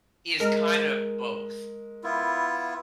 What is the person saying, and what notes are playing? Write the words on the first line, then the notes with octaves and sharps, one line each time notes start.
is kinda both.
G#3 A#4
B3 E4 F4